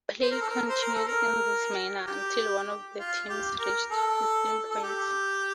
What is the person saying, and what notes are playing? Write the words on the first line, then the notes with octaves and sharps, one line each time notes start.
Play continued in this manner until one of the teams reached fifteen points.
C5
A#4
A4
A#4
C5
A#4
A4
A#4
G4
F4
G4
A#4
A4
A4
G4